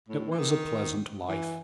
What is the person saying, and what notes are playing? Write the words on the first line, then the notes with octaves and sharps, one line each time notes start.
It was a pleasant life.
A2
E3
D#3
E3